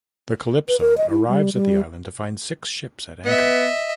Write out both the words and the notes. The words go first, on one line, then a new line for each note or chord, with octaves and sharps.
The "Calypso" arrives at the island to find six ships at anchor.
B4
A#4
D#5
E4
G3
G3
B3 D#5 E5